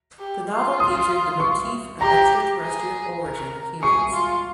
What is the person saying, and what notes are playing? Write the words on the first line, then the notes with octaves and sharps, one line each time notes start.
The novel featured the motif of extraterrestrial origin of humans.
G4
F4
D#6
C#6
G4 A#5
G#4
A#4
G#4 C#6
F4